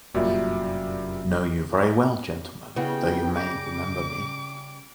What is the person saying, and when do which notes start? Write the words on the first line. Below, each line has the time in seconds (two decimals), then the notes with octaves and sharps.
Know you very well, gentlemen, though you mayn’t remember me.
0.15 F1 F#2 A#2 G3 F#4 E5
2.76 C#3 G3 B3 E4 F#4 B4 G5
3.37 D6 G6 A#6